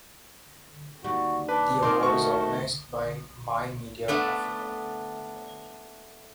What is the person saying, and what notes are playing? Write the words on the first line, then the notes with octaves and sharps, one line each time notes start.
The award is organized by My Media Africa.
D#2 G3 F#4
D4 B4
D#3 C4 C6 D6
A3 F#4 C#6
A3 B3 D4 A4